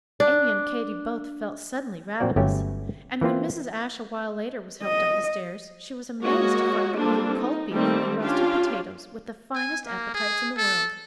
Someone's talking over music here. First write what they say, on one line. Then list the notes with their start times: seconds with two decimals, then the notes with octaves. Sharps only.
Amy and Katy both felt suddenly ravenous; and when Mrs. Ashe awhile later was helped up the stairs, she was amazed to find them eating cold beef and roasted potatoes, with the finest appetites in the world.
0.20 D4
2.20 A#2 F3 C4 F#4 D5
2.36 G1 F#3 A3 C#4 G4
3.21 E3 A#3 C4 F4
4.82 D#5
6.21 G#3 A#3 F#4 C#5 D#5
6.96 G3 A#3 C4 D4 F4 A4
7.39 D#4
7.72 D#3 G3 A3 A#3 C4
8.22 C#4 D4 F4 G4 F5
9.55 G#5
9.86 A#3
10.14 G#4
10.57 A4